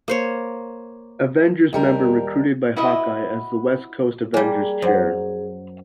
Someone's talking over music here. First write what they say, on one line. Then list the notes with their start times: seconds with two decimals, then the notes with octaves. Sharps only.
Avengers members recruited by Hawkeye as the West Coast Avengers chair.
0.08 A#3 C5 C#5
1.73 D#2 G3 A#4
2.76 E4 F#4 B4 D#5 E5
4.34 G3 A#3 G#4 G#5
4.82 F#2 C5 F#5